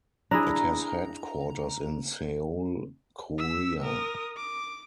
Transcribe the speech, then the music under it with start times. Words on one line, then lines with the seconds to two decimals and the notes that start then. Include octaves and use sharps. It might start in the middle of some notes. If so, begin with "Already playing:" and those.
It has headquarters in Seoul, Korea.
0.31 D4 E4 G#4 A#5
3.38 E6 B6
3.83 A#4 D#6
4.36 D6